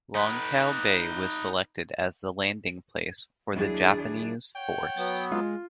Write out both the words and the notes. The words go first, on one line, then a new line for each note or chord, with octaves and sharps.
Longkiau Bay was selected as the landing place for the Japanese force.
D#4 B4
D#2 F#3 D4 E4 G#4
C#5 F#5 G5
F#3 B3
G#3 F4